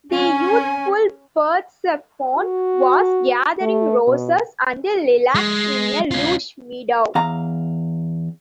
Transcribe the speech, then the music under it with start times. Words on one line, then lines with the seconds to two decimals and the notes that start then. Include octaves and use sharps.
The youthful Persephone was gathering roses and lilacs in a lush meadow.
0.13 C#4 G#5
2.37 F#4
3.61 A3
4.07 B2
5.35 G#3
6.11 C#4 F4
7.15 E2 F5 A#5